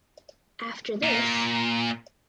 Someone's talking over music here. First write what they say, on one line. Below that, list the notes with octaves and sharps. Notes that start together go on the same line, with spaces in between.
After this.
A#2